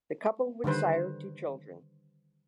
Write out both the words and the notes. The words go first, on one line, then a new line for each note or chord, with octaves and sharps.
The couple would sire two children.
D3 D#3 G3 B4 C5